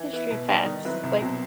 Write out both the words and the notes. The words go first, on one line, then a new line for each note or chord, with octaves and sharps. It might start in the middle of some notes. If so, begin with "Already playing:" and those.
history facts", like
Already playing: E3
B3 E4
B2
G3 D#4
D#3
F#3 C4 E4 B4
C2
B2 F#3 C4